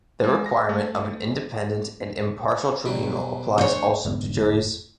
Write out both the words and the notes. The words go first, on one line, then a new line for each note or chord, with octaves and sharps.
The requirement of an independent and impartial tribunal applies also to juries.
G#3
A#6
A3
B2 F#3 G3
D2 C5 C#5
F1 G#2 D3 B3